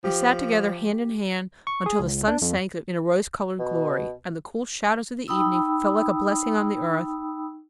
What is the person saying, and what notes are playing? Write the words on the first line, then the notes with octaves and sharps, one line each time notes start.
They sat together hand in hand until the sun sank in a rose-coloured glory and the cool shadows of the evening fell like a blessing on the earth.
F3 G4
C#6
G#4
C#2
D4
F2
B2
D#4 G5 B5 D#6 E6